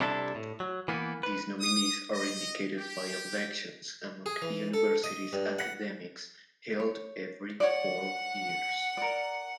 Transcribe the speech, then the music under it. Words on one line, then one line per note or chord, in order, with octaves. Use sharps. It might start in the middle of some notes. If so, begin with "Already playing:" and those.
These nominees are indicated by elections among university's academics held every four years.
C3 G3 D4 E4 A4
A2
F#3
E3 A#3 B3
B4
D#6
D#5
G4
G#4
E3
A4
D#5
G2
F#5
C#5
C#5 D5 F#5
A#4 D5